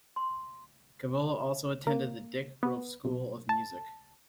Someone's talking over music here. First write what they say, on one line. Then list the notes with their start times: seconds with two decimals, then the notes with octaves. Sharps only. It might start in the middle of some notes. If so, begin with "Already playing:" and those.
Cavallo also attended the Dick Grove School of Music.
0.16 C6
1.87 A#3
2.63 B3
3.05 B1
3.49 A5